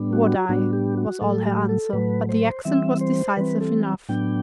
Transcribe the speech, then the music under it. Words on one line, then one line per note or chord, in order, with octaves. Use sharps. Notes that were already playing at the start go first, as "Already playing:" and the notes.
"Would I!" was all her answer; but the accent was decisive enough.
Already playing: A2 G3 B3 D4
F#4
A2 G3 B3 D4 F#4
G4
F#4
A2 F#3 A3 A4
G4
A4
A2 F#3 A3 B4
C5
E3 G3 C4 E5
C5
E3 G3 C4 B4
A4
A2 F#3 B3 D4 G5